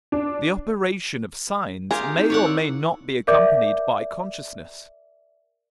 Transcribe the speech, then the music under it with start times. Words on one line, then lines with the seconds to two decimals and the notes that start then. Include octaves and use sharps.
The operation of signs may or may not be accompanied by consciousness.
0.12 D4
1.91 F4 G4 G#4 A#4
2.17 C4 D#4 E4
2.30 C#5 D5 F#5
2.44 A#4 E6
3.27 A#4 D5 E5 D6 G6